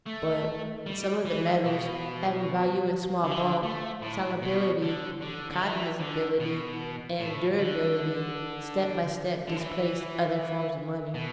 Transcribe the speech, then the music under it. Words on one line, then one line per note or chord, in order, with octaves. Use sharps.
But some of the metals, having value in small bulk, salability, cognizability, and durability, step by step displaced other forms of money.
A3
G3
E3
B2
D3
E3
D3
A3
A2
B2
D3
D3
D3
E3
D3
B2
A2
D3
D3
E3
B2